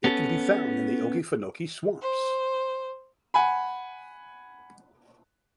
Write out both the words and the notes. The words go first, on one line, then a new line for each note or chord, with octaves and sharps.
It can be found in the Okefenokee swamps.
B3 C#4 A4
C5
F#5 G#5 B5